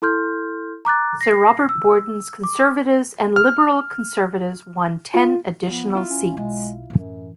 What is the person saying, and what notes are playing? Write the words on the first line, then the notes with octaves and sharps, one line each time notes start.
Sir Robert Borden's Conservatives and Liberal-Conservatives won ten additional seats.
E4 A4 C6 F6 G6
A#5 D6 F#6 A6
A#6 C7
E6
D6
F6
F4
F3 B3
E4 F4
C#4
B1 G#3
F#2 A2 E3